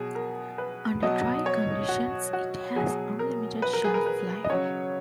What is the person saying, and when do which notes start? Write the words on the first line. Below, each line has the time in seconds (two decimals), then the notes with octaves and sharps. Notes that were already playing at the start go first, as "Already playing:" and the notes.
Under dry conditions it has unlimited shelf life.
Already playing: B2 F#3 G#4
0.15 A#4
0.58 B4
1.02 B2 F#3 D#5
1.46 C#5
1.89 F#4
2.33 F#4
2.76 B2 F#3 G#4
3.19 A#4
3.62 B4
3.73 A#4
3.84 G#4
3.94 A#4
4.06 B4
4.44 D#5
4.50 C#3 F#3 C#5